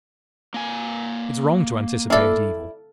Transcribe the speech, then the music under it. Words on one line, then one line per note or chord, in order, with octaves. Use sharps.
'It's wrong to anticipate evil.
A#3 G#5
E4 A4 D5 F5